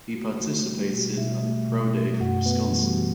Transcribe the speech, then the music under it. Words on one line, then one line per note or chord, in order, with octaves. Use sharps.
He participated at the pro day for Wisconsin.
A3 F#4
A3 F#4
G3 A3 G4
G4
B2 F#4
B2 E4 E5
A3
B2
A3
F#2 F#4 F#5
A3 B3 B4
E3 G3 G4
F#4